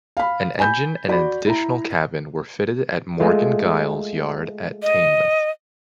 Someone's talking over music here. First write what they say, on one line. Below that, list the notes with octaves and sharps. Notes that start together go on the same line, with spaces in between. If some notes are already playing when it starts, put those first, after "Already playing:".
An engine and an additional cabin were fitted at Morgan Giles's yard at Teignmouth.
F5 B5
G#5 B5 G6
F#4 D5 B5
E4 A#5
G#3 A3 F4
D#5